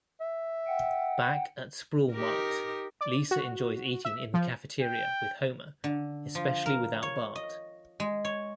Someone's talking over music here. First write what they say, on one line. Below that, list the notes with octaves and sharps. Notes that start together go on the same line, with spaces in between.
Back at Sprawl-Mart, Lisa enjoys eating in the cafeteria with Homer, especially without Bart.
E5
F#5 G5
D#4 G4 A#4
D5
F#4
E5
F3
G5
D3
F3
A#4
C#5
D#5
G#3
C#5